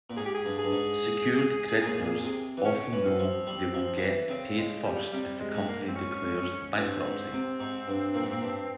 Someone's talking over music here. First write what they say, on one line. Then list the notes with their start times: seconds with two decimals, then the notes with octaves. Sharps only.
Secured creditors often know they will get paid first if the company declares bankruptcy.
0.10 A#2
0.17 G#2 G#4
0.25 G4
0.34 G#4
0.45 G2
0.58 G#4
0.64 G2
0.72 G#2
1.82 A#2
2.23 C3
2.57 E3
2.65 C#3 C#4
2.93 E3
3.05 C4
3.19 F3
3.47 G3
3.74 F3
3.97 C#3
4.02 E3
4.30 C#3 C4
4.58 G#3
4.85 G3
5.13 C3 G3
5.40 G#3
5.54 G#2
5.68 A#3
5.88 C4
5.95 C#4
6.77 G2 C4
7.04 G#2
7.33 C3
7.60 G#2
7.88 G2
8.14 A#2
8.23 G#2
8.32 A#2
8.42 G2